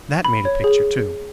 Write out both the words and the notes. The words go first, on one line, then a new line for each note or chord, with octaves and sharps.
That made a picture, too!
B5
C#5
G#4